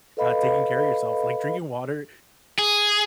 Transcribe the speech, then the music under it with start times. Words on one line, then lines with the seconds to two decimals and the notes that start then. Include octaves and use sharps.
uh, taking care of yourself. Like drinking water.
0.17 A4 B4 D#5 F5 B5
2.59 G#4